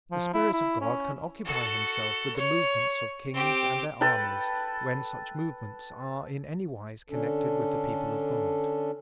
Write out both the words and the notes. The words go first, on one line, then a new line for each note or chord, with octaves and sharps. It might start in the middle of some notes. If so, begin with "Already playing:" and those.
The Spirit of God can occupy himself with the movements of "kings and their armies," when such movements are in anywise connected with the people of God.
F3
E4
E4
C#4
F#4 A4
C#5
C4 G4
A4 B4 G5 B5
D3 C#4 D4 A4